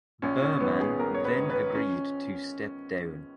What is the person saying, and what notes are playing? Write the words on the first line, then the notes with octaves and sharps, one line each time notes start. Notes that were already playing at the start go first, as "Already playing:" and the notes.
Berman then agreed to step down.
A#1 C#4
C#4
G#2 D#3 B3
G#4
A#1 A#4
C#5
B4
G#2 D#3
B4
C#4